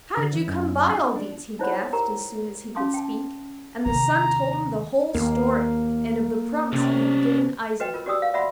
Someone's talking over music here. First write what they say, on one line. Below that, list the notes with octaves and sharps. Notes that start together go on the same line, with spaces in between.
'How did you come by all these?' he gasped, as soon as he could speak; and the son told him the whole story, and of the promise he had given Eisenkopf.
D3
E3
F#2
D#4
D4
D#4 E4 C5 C#5 F#5 B5
G4 A#4 A#5
C#4 F5 A5 C6 D6 D#6
G5 A5
D#2 C3 A#5
D#2 A#3
C3 C#4 D4
F#4 B4 D#5 G5
F4 A#4
F#4 G4 D5 G5 D#6 E6
F5
D5 E5 F#5 B5 C6